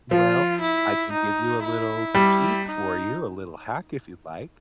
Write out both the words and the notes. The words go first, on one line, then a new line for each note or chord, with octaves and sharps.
Well, I can give you a little cheat for you, a little hack if you'd like.
F3 F4
E4
D#4
E4
G3
D#4